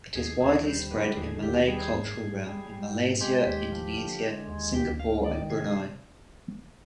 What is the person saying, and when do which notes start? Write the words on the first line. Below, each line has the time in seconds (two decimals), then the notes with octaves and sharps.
It is widely spread in Malay cultural realm in Malaysia, Indonesia, Singapore and Brunei.
0.15 D#2 G#4
0.41 D#2 G#4
0.66 G3 C5
0.91 D3 B4
1.17 D#2 G#4
1.43 D#2 G4
1.67 G3 G#4
1.93 G#2
2.18 G#2
2.45 G3
2.70 G3
2.95 G#2
3.21 G#3 G4
3.46 D#2
3.72 F3
3.97 D3
4.23 G#3
4.48 D#2
4.74 D2 G4
4.99 D2 F5
5.24 D#3 D5
5.50 C3 G#4